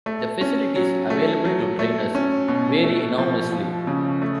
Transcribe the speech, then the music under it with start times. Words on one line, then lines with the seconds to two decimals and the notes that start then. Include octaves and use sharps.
The facilities available to trainers vary enormously.
0.06 A3
0.41 C#4
0.76 F#3
1.10 A3
1.45 F#3
1.79 A3
2.15 C#4
2.48 B2
2.84 A3
3.18 F3
3.52 F3
3.87 C#3
4.22 A3